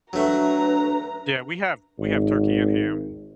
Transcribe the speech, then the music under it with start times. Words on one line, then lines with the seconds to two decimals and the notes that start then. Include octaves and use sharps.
Yeah. We have we have turkey and ham.
0.13 F#3 A3 D4 B4 A#5
1.98 G#1